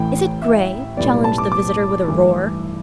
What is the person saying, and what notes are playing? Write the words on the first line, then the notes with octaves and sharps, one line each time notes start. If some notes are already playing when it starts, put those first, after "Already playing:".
"Is it grey!" challenged the visitor, with a roar.
Already playing: A1 A2 E3 A3 G5
E5
B1 A2 G3 B3 D5
A5
D6
D6
G2 E3 A3